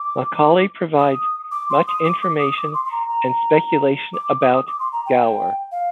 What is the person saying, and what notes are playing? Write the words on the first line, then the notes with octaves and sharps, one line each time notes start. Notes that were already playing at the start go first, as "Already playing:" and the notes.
Macaulay provides much information and speculation about Gower.
Already playing: D6
D#6
D6
C6
D#6
D6
D6
D#6
D#6
D6
C6
C6
A#5
A#5
D6
D#6
D6
C6
A#5
G5
F5